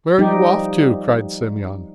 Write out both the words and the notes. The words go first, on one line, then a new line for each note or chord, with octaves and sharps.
"Where are you off to?" cried Semyon.
F3 G3 D#4 G4